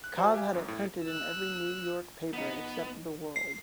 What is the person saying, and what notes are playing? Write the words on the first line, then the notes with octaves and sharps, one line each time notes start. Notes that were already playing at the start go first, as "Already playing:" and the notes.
Cobb had it printed in every New York paper-except the "World".
F#6
F#4 C5 D5 G#5 A5
G4 E5 F5 G#5
G1 F#2
A2
E6 F#6
B2 F3 B3 D#4
C7